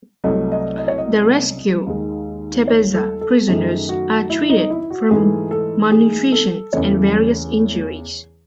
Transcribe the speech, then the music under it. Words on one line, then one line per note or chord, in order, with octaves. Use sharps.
The rescued Tebezza prisoners are treated for malnutrition and various injuries.
C2 C3 F#3 A3 D#5
D#5
D#5
C#5
D#5
D#2 D#3 G#3
C#5
A4
A4
F#2 D#3 A3 G#4
F#4
E4
D#4
E4
F#4
G#2 E3 A3 G#4
A4
G#4
A4
E2 C#3 E3 A3 C#5